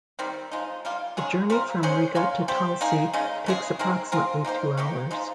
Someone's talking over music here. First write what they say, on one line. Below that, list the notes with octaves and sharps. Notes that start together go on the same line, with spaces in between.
A journey from Riga to Talsi takes approximately two hours.
D#3 G3 C4
F3 G#3 D#4
G3 A#3 F4
D#3 G#3 C#4 G#4
G3 C4 F4 A#4
G#3 C#4 G#4 C5
A#3 C#4 F4
G3 C4 G4
A#3 D#4 G#4
C#3 G#3 D#4
C#3 G#3 D#4 G#4
G#3 C4 D#4 A#4
G#3 C4 F4 A#4
A#3 D#4 G4 C5
D#3 A#3 D#4 G4
F3 G#3 D#4